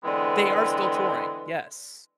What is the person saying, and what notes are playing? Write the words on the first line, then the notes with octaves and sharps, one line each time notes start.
They are still touring, yes.
D3 E3 G#3 B3 C4